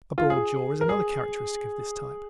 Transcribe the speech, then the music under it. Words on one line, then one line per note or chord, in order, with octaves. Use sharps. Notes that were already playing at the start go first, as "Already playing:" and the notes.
A broad jaw is another characteristic of this type.
F4
G#4
A#4
G#4